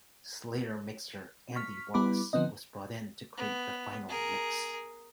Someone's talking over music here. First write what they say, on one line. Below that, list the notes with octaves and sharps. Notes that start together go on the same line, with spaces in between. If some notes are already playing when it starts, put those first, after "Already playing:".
Slayer mixer Andy Wallace was brought in to create the final mix.
C#6 F6 B6
G3 B3 E4 B5 D6
D3 F3 B3 C4 D#5
B3
G#4 A#4